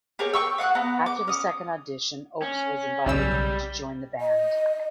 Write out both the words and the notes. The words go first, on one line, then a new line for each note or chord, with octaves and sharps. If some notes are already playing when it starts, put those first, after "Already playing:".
After the second audition Oakes was invited to join the band.
G4 G#4 A#4 C#5
G5 C#6 E6
F5 F#5 D#6 F#6
B3 A#5
D6
C#4 D#6
C#4
B1 C#3 G3 E6
D#5